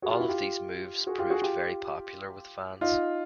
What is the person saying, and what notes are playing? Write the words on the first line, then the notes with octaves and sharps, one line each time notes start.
All of these moves proved very popular with fans.
F#4 G#4
F4 G4
E4 F#4
F4 G4
F#4 G#4
F4 G4
F#4 G#4
F4 G4
D#4 F4